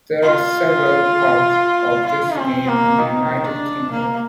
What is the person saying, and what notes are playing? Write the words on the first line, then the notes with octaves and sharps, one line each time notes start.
There are several pubs of this name in the United Kingdom.
F4
F4
C4
A#3
D#3
D4
A#3